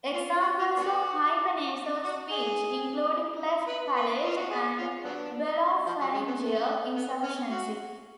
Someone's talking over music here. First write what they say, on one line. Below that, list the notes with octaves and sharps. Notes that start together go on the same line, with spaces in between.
Examples of hypernasal speech include cleft palate and velopharyngeal insufficiency.
F4
F#4
F4
B3 D4 F#4
F#4
G#4
B4
B4
F4
F#4
G#4
F4
F#3 B3 D4
F3
F#3
G#3
B3
A3
B3
C#4
F#4